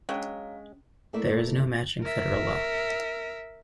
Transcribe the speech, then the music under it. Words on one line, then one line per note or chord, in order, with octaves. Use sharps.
There is no matching Federal law.
F#3 G#3 C#4 D4 F5
A3 A#3 E4 A4 D5 E5
A#4 E5